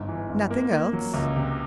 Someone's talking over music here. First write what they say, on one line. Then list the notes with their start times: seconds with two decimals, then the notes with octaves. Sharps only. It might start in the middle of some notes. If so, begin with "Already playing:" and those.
"Nothing else?"
Already playing: G1 G#2
0.09 E3
0.29 G1
0.51 A#3
0.72 A#3
0.93 F#3
1.14 C#2
1.36 C3